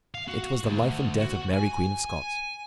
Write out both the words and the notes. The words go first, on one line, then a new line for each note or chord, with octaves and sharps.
It was the life and death of Mary Queen of Scots.
F5
F#4
D2
F#4
G#5